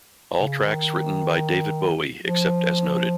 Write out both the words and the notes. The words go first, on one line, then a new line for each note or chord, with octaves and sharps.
All tracks written by David Bowie except as noted.
C#3
D#3
F3